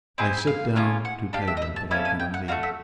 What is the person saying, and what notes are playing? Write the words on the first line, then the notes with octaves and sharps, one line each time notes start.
I sit down to table; but I cannot eat.
C4 E4 G#4
F5
A#3 C#4 F4 G#4
F#5
D4 G4 F5
E5
D#5
E5
A5
A#3 C#4 E4 A4 G#5
G#5
G5
F#5
A3 D4 F#4 F5
E5